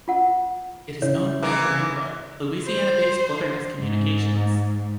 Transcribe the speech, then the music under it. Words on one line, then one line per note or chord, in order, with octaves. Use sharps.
It is owned by Carencro, Louisiana-based Wilderness Communications.
F4 F#5
C#3 E4 C#5
E3 G#3 A#3
C5
G#2